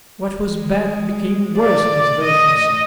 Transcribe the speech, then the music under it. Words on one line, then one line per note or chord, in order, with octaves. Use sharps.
What was bad became worse in his versions.
G#3
D5
D#5